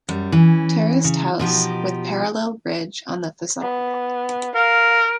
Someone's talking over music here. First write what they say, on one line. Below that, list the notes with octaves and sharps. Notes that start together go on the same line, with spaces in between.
Terraced house, with parallel ridge on the facade.
F#2 G3
E3 C#4
C#3
B2 F3 D#4 G4
B3
A#4 F5